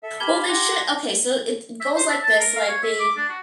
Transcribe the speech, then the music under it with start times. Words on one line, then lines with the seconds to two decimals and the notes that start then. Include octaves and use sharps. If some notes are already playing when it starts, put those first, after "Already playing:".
Well, they should okay, so it goes like this, like, they
0.03 A4 E5
0.20 G4 A5 B5 F6 G#6 G7
0.48 F4 G4 F#5 A#6
1.80 E5
1.96 C5
2.09 E5
2.23 A5
2.40 A#4
2.56 F5
2.68 C#5
2.83 E5
3.00 D6
3.17 D4
3.29 F#4